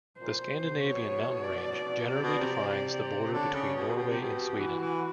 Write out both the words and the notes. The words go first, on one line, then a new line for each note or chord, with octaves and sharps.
The Scandinavian mountain range generally defines the border between Norway and Sweden.
A#2 C5
B2
C3
B2 C#5
D5
D5
C3
B2
C3
C3
D3 C#5
C#3
B2
B2 G4
C3
B2
E3 F#4
E3